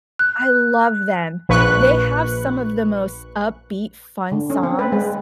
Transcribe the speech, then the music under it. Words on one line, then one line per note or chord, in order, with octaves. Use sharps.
I love them. They have some of the most upbeat fun songs,
F#6
A#1 B4 C#6 F#6
D3
C#4
C4
B4
G#3